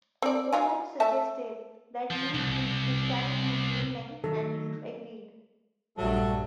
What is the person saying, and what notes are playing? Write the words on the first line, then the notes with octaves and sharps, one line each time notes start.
Olaf suggested that Leif preach Christianity in Greenland and Leif agreed.
C4 D5
F#3 F4 G#5
A3 E5 A5
F3
C2
D#3 F#3 A4
A#1 G2 F#3 G3 A3 A4 A5